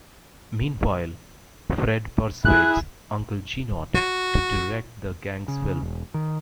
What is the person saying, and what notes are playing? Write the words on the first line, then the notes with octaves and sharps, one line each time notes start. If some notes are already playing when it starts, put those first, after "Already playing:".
Meanwhile, Fred persuades Uncle Jeannot to direct the gang's film.
E4 G#4 F#6
F#4
C#3
E1
D#3